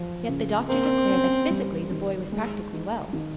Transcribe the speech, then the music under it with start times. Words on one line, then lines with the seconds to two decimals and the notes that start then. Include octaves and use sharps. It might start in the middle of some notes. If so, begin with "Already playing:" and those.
Yet the doctor declared that physically the boy was practically well.
Already playing: F3
0.28 C#3
0.69 A#3 C4
1.10 C#4
1.51 G3
1.91 D#3
2.32 G#3
2.73 D#4
3.13 D#3